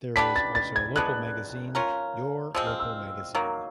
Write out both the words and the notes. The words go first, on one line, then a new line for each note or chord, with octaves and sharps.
There is also a local magazine, "Your Local Magazine".
B3 D4 G4 B4 B6
A6
A6
G#6
G#3 B3 D4 F#6
C#4 F4 A#4
F3 G#3 C4 E6
F6
E6
D#3 F#3 A#3